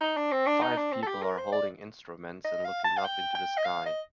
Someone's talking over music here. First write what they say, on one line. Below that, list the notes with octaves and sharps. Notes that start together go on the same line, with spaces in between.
Five people are holding instruments and looking up into the sky.
D#4
D4
C4
D4
D#4
D4
C4
A4
G4
A#4
C5
D5
D#5
F5
A5
F5
G5
G5
D#5
F5
D#5